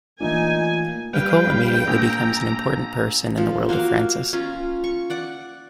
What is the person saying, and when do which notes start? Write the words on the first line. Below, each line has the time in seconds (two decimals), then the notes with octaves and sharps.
Nicole immediately becomes an important person in the world of Francis.
0.21 A#2 E3 A3 D4 D#4 G#5
1.13 G3 B4 F5 G5
1.87 A#1 A#5
3.37 F3
3.69 A#3 F#4 A#4 F5
4.33 C#4 F4 A#5
4.84 C#6
5.10 D5 F#5 D6